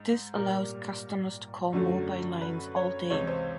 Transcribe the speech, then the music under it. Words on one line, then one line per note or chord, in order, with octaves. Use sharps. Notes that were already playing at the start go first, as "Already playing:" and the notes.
This allows customers to call mobile lines all day.
Already playing: G#2
A#2 G3 A#3 A#4
F#2 D3 F#3 A3
B4
C#5
C#2 C3 E3 G#3 C#5
C5